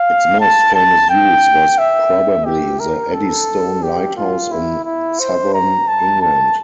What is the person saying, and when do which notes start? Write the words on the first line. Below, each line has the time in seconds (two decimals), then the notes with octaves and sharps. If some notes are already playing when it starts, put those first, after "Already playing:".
Its most famous use was probably the Eddystone Lighthouse in southern England.
Already playing: F5
0.40 A5
0.74 A5
1.10 G5
1.78 E5
2.45 G4
2.80 A#4
3.13 A4
3.83 G4
4.16 F4
4.51 E4
4.84 E4
5.19 C5
5.54 A#5
5.88 A5
6.21 A5